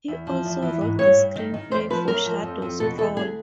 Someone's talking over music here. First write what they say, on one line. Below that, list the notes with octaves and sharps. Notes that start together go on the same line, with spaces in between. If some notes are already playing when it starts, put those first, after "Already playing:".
He also wrote the screenplay for "Shadows Crawl".
E2
F3
E2
E3
G#2
G2 C#5
G2
D#3
D#3
E2 C5
F3 B4
F#2 A#4
F3
F2
F2
B2 A4
E2 A4
D2 G#4